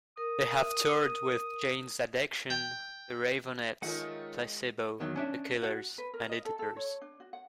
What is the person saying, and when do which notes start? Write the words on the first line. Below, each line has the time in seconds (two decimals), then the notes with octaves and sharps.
They have toured with Jane's Addiction, The Raveonettes, Placebo, The Killers, and Editors.
0.17 A#4 D#6
2.50 G5
3.82 D#3 G#3 A3 C#4 F4 A#4 D#5 F#5
5.00 E2 D#3 F#3 G5
5.16 C#4 D4 E5
5.63 F#4
5.98 B4
6.14 A#4
6.29 D#5
6.45 A4
6.59 A4
6.77 C#5
7.01 D4
7.20 F#4
7.33 F#5